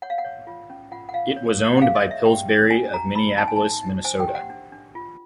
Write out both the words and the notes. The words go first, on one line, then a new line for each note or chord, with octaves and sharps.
It was owned by Pillsbury of Minneapolis, Minnesota.
C#5 F#5
F5
F#5
C#5
F4
C#4
F4 F#5
F#5
F4 F5
C#5
A#4
F#5
G#4 F5
D#5
C#5
E5
G4 G5
D4
C#4 G#5
F#4 A#5
D#4 B5
D#4 A5
G#5
D#4 A5
D#4
C5 G#5
G5
G4
F#5
D4
D4
F4